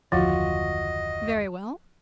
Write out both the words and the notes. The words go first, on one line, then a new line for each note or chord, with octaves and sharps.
'Very well.
F#1 D#2 D3 F3 F4 F#4 D#5